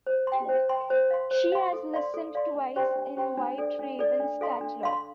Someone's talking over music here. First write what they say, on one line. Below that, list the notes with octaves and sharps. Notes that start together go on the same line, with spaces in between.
She has listed twice in White Ravens catalogue.
C5
G5 C6
C5
G5 C6
C5
F5 C6
C5
F5 C6
A4
D5 F5 C6
A4
D5 F5 C6
D4
G4 C5 G5 C6
D4
G4 C5 G5 C6
D4
A4 D5
D4
A4 D5
D4
A4 F5 C6
D4
A4 F5 C6